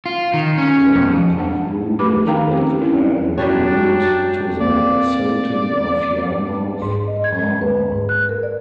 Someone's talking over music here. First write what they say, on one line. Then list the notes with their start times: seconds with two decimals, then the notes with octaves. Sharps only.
Rennie concluded that the plan would lead to the silting of Yarmouth harbour.
0.06 F4
0.34 D#3
0.58 C#4
0.95 F2
1.38 D4 F#5
1.99 F3 A3 G4 B4 B5 D6
2.26 D#3 D#4 A#4 F5 G5 A#5
2.52 C4 C#4 G4
2.79 C#4 E4 A#4
3.38 F#2 G3 D4 F#4 C#5 G5 A5
4.61 A#3 C4 D5
6.82 G#2
7.07 D#5
7.24 G#6
7.39 G#3
7.61 B4
7.92 G#2
8.09 F#6
8.29 A#4
8.43 D5